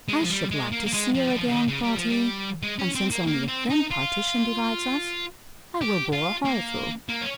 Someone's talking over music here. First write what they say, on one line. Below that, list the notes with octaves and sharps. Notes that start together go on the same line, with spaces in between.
"I should like to see her again," thought he; "and since only a thin partition divides us, I will bore a hole through."
G#3
F3
G3
G#3
A#3
A#3
G#3
F3
G3
F3
C#3
D#3
C#3
G3
F3
G3
G#3
C#4
C4
A#3
A#3
C4
D#4
F4
G4
F4
A#3
A#3
C#4